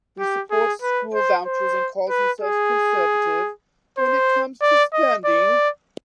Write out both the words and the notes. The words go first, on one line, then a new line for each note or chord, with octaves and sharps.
He supports school vouchers and calls himself "conservative when it comes to spending".
G4
G#4
B4
C5
C5
B4
G#4
C5
D5
D#5
D5